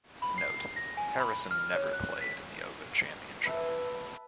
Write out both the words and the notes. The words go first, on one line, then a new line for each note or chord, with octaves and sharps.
Note: Harrison never played in The Open Championship.
B5
C7
A#6
G#5
B5
F6
C#5
F#6
B6
B4 E5 A5